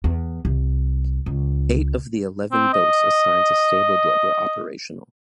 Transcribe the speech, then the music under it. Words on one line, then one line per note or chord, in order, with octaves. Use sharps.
Eight of the eleven boats assigned to Stable Door were operational.
E2
C2
C#2
C4
D#5